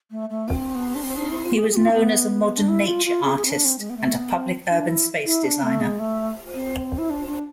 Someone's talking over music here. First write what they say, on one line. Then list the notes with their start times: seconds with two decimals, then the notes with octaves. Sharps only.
He was known as a modern nature artist and a public urban space designer.
0.11 A3
0.30 A3
0.48 C4
0.75 B3
0.95 D4
1.03 C4
1.16 D4
1.30 E4
1.45 F4
1.58 G#4
1.71 G#4
1.76 F4
1.90 A3
1.95 B3
2.58 D4
2.69 E4
2.86 F4
3.06 F4
3.23 G#4
3.37 G#4
3.45 C4
3.50 D4
3.65 C4
3.79 G#3
3.90 B3
3.97 A3
4.16 B3
4.34 C4
4.70 D4
4.88 E4
5.26 E4
5.44 D4
5.63 A3
5.81 G#3
5.99 A3
6.54 C4
6.98 E4
7.10 D4
7.27 D4